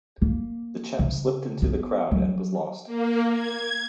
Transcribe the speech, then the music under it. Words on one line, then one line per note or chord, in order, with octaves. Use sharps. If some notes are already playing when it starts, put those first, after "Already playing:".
The chap slipped into the crowd and was lost.
A#3
C#3
B3
F#3
A#3
G#6